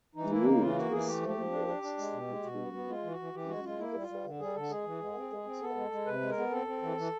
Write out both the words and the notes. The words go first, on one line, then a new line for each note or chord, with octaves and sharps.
The Route is sandwiched between the aforementioned mountains and the Indian Ocean.
E3 D#4
A#3 E4
D4
C#3 D#4
E3 F4
A#3 F#4
E3 G#4
A3 G4
F3
G4
F3
D4
D4
D4
G#3
B2
G#3
B2 F#4
B3
B3
G#3 F4
E3
F#4
E3
E3 G4
G#3 F#4
G#3 F4
A#3 E4
G3
F4
G3
D3
G3 G#4
D3 A4
G#3 G#4
E3
G#3
C4
G#3
C4
B3 A4
G#3
G#3
C3 B4
G#3
A#4
B3
C4 A4
C4
E3
E3